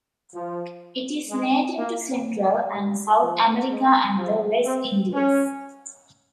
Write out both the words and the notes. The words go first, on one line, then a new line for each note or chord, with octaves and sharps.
It is native to Central and South America and the West Indies.
F3
G#3
A#3
G3
F3
G#3
F3
C4
C#4